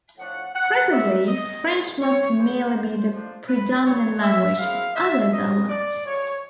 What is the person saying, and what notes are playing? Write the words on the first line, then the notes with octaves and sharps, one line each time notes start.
Presently, French must merely be the predominant language, but others are allowed.
A2 F3 A3 D4 F4 F#5
F#5
D#3 G3 C4 D#4 E5
D#5
A#2 F3 G#3 B3
C#5
E3 G#3 C#4 E4 C5
A#2 F3 A#3 D4 F4
B4
D#3 G3 C4 C#5
E5
D#3 G#3 C4 E4 F5
E5
C#3 F3 A#3 D#4 D#5
D5
A2 F3 G#3 C#5